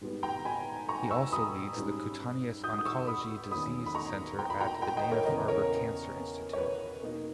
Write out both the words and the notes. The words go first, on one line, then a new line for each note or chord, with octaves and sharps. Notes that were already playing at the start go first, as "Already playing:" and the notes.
He also leads the Cutaneous Oncology Disease Center at the Dana Farber Cancer Institute.
G#2 G3 B3
G5 A#5
G#5 B5
A#5 C#6
C#6 E6
B5 D#6
G#2 G3 C#4
D#6 G6
D#6
C#6 E6
B5 D#6
E2 D#3 A#3 C#4 B5 D#6
B5
A#5 C#6
G5 A#5
B5
G5 A#5
G5 A#5
D#5 G5
A#4 C#5
E2 C#3 E3 B4 D#5
A#4 C#5
C#5
B4
B2 A#3 D#4